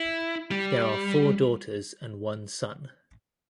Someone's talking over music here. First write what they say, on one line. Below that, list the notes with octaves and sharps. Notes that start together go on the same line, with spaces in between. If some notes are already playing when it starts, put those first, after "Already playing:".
There are four daughters and one son.
Already playing: E4
G3